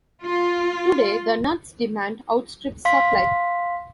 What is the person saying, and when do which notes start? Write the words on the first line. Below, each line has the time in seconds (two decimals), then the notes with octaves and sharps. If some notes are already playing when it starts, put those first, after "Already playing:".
Today, the nut's demand outstrips supply.
0.24 F4
2.85 F5 C6 B6